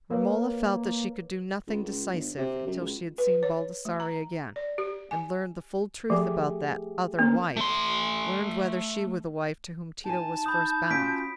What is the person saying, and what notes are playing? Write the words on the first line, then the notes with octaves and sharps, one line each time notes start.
Romola felt that she could do nothing decisive until she had seen Baldassarre again, and learned the full truth about that "other wife"--learned whether she were the wife to whom Tito was first bound.
A#3 A#4 B4 C#5
C#2
C#2
G1
C3
F#2
C#2
B4
C#5
A3
A#5
D5
G4
G#5
F3 A3 G4 G#4
A#3 C4 C#4 A#4
A3 C6
D#4 G#5 A5
B5 D#6 G6
C#4 F4 F#4 B6 D7